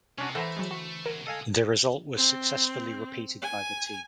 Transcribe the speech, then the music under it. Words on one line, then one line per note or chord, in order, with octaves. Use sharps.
The result was successfully repeated by the team.
C3 C#4 D4 F#4
E3 A3 A4 C5 E5 F#5 A#5
F#3 G#3
F#4
D2 F#3 A#4
G#3 A4 D#5 F5 G#5
C4
G#5